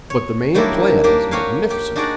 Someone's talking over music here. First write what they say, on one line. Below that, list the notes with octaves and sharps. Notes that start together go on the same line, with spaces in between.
But the main plan is magnificent.
C#5
D#3 F#3 G3 A#3 D4 E4
A#3 D4 G4
F#4 G4 C#5 F5 G#5
G4
D4 D#4 F#4 G#4 D5